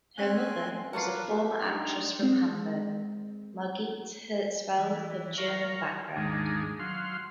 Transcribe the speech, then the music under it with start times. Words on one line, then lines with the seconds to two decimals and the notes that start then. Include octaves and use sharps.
Her mother was a former actress from Hamburg, Margit Herzfeld, of German background.
0.18 A3 C4 C#4 G#5 F#6
0.93 F4 A#4 B4 D5 F#5 A5 C#6 C7
1.28 A3 G4
1.61 D4 D#4 G5 C6
2.19 G#3 C4
4.77 E3
5.38 A#4 F5 C#6
6.16 D#2 G#2 D#3 G#3 D4
6.79 F#3 F5 C6